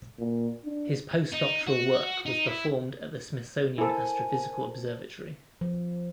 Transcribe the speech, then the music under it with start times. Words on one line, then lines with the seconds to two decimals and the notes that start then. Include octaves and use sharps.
His post-doctoral work was performed at the Smithsonian Astrophysical Observatory.
0.18 A#2
0.65 D4
1.32 D#4
1.67 F#4
2.26 D#4
2.47 E4
3.78 E4 A4 A#4 C5 G#5 A5
5.61 F3